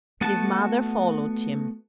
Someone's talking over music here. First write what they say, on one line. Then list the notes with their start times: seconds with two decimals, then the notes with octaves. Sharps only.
His mother followed him.
0.21 A3 B3 F#4 A5